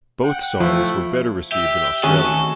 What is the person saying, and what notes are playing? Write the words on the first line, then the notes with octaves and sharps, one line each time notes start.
Both songs were better received in Australia.
F#5 G5
F3 A3 E4
G4 E5
D#3 A3 C4 C#4 F#4 G#4 A4